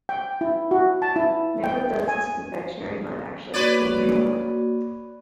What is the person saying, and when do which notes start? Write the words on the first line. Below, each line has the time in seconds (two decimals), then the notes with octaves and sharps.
Never does this confectionery mud actually contain real mud.
0.09 G5
0.41 E4
0.71 F#4
1.02 A5
1.16 E4
1.64 G5
2.08 G#5
3.54 A#3 F#4 B4 C#5 D5